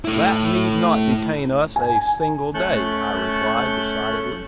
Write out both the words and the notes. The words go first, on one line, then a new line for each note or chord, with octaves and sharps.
"That need not detain us a single day," I replied, decidedly.
A3 E4
G#5
A3 C#4 A5 C#6 F#6 G6